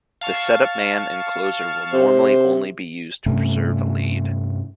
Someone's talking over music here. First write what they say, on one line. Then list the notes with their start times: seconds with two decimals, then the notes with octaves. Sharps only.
The setup man and closer will normally only be used to preserve a lead.
0.21 F5 A5 C#6
1.93 C3 C5
3.26 G2 C3 A3 C#4